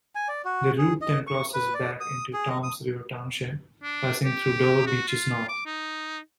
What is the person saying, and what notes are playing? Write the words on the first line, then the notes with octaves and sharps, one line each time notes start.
The route then crosses back into Toms River Township, passing through Dover Beaches North.
G#5
D5
F#4
G#4
D#5
C#6
B4
D5
D#6
G#4
D#5
D#6
D4
G4
F#4
F4
D6
D#4